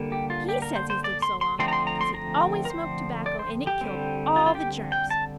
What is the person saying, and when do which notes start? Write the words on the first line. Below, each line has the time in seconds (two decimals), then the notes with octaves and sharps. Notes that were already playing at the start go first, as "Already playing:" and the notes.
He says he's lived so long 'cause he always smoked tobacco and it killed all the germs.
Already playing: D3 G3 A#3
0.12 G4
0.30 F4
0.49 G4
0.62 A#4
0.75 C5
0.90 C5
1.04 D5
1.22 C6
1.41 C6
1.59 D3 F3 A3 C4 C6
1.68 A#5
1.73 C6
1.87 A#5
2.01 C6
2.14 A#5
2.65 A#4
2.70 C5
3.26 D5
3.39 C5
3.67 G4
3.81 D3 G3 C4
4.36 F4
4.46 F4
4.55 G4
4.92 G5
5.10 A5